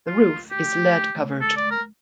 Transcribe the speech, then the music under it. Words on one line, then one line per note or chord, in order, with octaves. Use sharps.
The roof is lead covered.
F4
G4
A4
D5
A#4